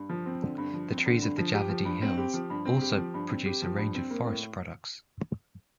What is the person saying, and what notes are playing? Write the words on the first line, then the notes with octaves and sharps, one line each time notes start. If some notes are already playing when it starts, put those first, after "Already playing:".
The trees of the Javadhi Hills also produce a range of forest products.
Already playing: G2
F3
C4
D3
G2
F3
C4
D3
G2
F3
G4
F3
G2
C4
G4
F3
G2
C4
G4
F3
G2
C4
G4
F3
G2
C4
A#3
A2